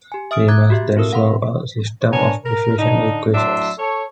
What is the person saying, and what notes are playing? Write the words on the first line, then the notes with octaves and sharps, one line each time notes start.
We must then solve a system of diffusion equations.
G4 G#5
E5 D#6 F6 D7
A#5 D6 F#6 G#6 A6
F#4 G4 E5
C4 E4 A4 A#4 E6
F5 F#5 B5 C6
B3 D4 A#4 C#5 G#5
A#4
D3 D4 D#4
A2 F#3 D4 E5 C6
A4 C#5